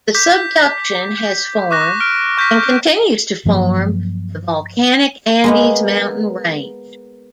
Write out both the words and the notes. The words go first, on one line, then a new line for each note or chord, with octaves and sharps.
The subduction has formed, and continues to form, the volcanic Andes Mountain Range.
D6 G6 B6
C#6 D6 F#6 A#6
F6 D7
C#6 G6 A#6 B6
G2 F3 F#3 A#3
G#3 A#3 B3